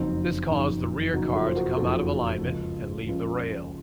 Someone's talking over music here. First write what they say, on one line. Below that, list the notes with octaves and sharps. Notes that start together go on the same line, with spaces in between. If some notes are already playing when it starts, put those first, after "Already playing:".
This caused the rear car to come out of alignment and leave the rail.
Already playing: F#1 F2 D#3 F#3 C4 D#4
F#1 F2 D#3 F#3
F#1 F2 D#3 F#3 D#4 F#4
F4 A4
C5
F#4 A#4
F#1 F2 D#3 F#3 F4 A4
C#2 C#3 F3
C#2 C#3 F3